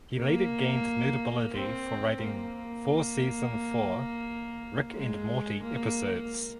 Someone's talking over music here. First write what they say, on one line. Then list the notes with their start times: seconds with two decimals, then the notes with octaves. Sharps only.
He later gained notability for writing four season four "Rick and Morty" episodes.
0.17 A#3
1.54 C4
2.22 A#3
4.94 G#3
5.62 A#3